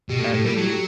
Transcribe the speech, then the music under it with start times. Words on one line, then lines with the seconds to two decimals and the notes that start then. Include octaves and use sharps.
at a,
0.10 B2 G4
0.19 A2 A4
0.29 G4
0.34 A2
0.39 A4
0.45 G3 G4
0.57 F#3 A4
0.66 G4